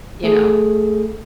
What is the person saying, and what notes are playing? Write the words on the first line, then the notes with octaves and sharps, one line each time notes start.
You know?
A3 G#4 A4